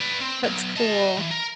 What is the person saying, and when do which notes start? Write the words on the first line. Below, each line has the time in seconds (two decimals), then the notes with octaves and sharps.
That's cool.
0.01 B4 D5
0.21 C4
0.44 B1
0.76 D#5 A5
1.17 E3
1.31 A#4